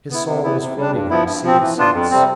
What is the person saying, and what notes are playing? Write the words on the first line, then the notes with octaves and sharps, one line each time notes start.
His soul was floating on a sea of sense.
B3 E4
C3
E3 B3 E4
C3
G3 D4
G2
F3 B3 E4
G2
F3 C4
E3
B3 D4 F4
F2
C3 G3 C4